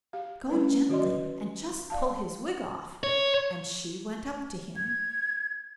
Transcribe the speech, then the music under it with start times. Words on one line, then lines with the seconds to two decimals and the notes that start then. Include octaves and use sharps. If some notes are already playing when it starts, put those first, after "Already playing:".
'Go gently, and just pull his wig off'; and she went up to him.
0.13 G4 F5
0.50 G3 A3 C#4 E4 B4
0.89 D#3 F#4 D5 D#5 C6
1.01 F#3 B4
1.90 D5 F5 A5
3.04 C#5
4.77 G#6